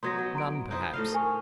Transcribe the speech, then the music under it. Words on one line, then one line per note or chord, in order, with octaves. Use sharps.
None, perhaps!
F#3 B3 D#4 C6 G#6 A#6
F#3
A#5 C6 D7
D#4 E4 C5
A2 D#5 F5
A#4 G#5 C#6